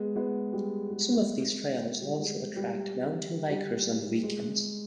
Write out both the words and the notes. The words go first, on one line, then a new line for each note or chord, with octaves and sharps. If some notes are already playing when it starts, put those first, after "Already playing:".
Some of these trails also attract mountain bikers on the weekends.
Already playing: G#3 B3
G#3 B3
G3
G#3
G3
G#3
G3
G3
G#3